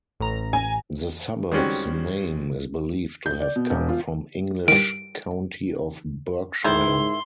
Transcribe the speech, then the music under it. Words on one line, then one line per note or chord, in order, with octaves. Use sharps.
The suburb's name is believed to have come from English county of Berkshire.
A1 A#5
G#5
D#3 G3 G#3 C4 C#4 F#4
G6
D5
B2
E1
F4
G2 D#3 D7
G#2 D#3 E4 C6